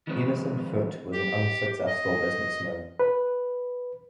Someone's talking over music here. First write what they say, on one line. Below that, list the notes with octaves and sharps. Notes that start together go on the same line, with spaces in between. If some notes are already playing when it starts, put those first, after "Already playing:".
Emerson Foote was an unsuccessful businessman.
D#3 F3 G#3 C4 B4 C#5
G4
D#5
B4